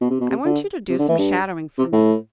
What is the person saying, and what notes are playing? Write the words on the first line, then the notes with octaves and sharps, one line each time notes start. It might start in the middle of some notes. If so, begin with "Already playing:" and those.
"I want you to do some shadowing for me."
B2
C3
B2
C3
D3
C3
D3
E3
G2
C3
A2